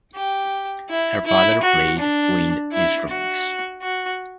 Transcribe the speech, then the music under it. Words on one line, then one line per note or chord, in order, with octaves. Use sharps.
Her father played wind instruments.
G4
E4
E4
F#4
D4
E4
F#4
F#4